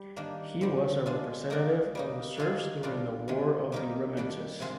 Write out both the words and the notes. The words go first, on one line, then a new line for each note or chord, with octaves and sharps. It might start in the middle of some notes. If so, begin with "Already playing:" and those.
He was a representative of the serfs during the War of the Remences.
Already playing: G3 G4
D#3 A#3 D4
D3 G3 C4 G4
G#3 D4 F4
A#3 D#4 A#4 D5
G3 A#3 D#4
D#3 A#3 F4 G#4
A#2 G3 D4 F4
C3 D#3 G#3
G3 A#3 D#4 G4 A#4
D#3 G3 D4 G4
C3 D#3 G#3 C4 F4